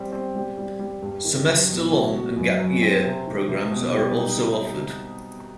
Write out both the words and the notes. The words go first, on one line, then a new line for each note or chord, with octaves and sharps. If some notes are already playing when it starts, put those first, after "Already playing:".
Semester long and gap-year programs are also offered.
Already playing: G3 C4
C4
G3
G3
G3
G2
D#3
F#3
B2
F#4
F#4
F#2
F#3
C4
C3
D#3
C3
B2
G3
D#4